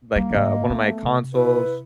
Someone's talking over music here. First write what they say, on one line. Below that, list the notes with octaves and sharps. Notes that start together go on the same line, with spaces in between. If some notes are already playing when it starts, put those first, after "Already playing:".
like, uh, one of my consoles,
G3 A#3
G#2 D3 D#5
A3 B3
C3
E4 B4